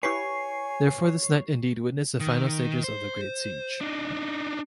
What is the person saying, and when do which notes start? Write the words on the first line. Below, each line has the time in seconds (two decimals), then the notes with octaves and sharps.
Therefore, this knight indeed witnessed the final stages of the Great Siege.
0.03 E4 G4 B4 C#5 G#5 C#6 C7
2.20 D#3
2.84 C5
3.81 D4 D#4